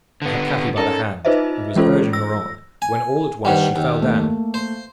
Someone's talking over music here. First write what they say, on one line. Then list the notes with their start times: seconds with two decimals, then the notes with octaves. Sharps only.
I had Cathy by the hand, and was urging her on, when all at once she fell down.
0.22 D3 B3
0.77 C#4 D#4 A4 A#4
1.25 D#4 F4 B4 C5 D#5 E5
1.76 E3 G#3 C#4 F4 A4 C5
2.13 E6 A#6
2.82 G#5
3.45 G2 D#3 G3 C5 F#5 G5
3.76 D#2
4.02 A3 A#3
4.54 C5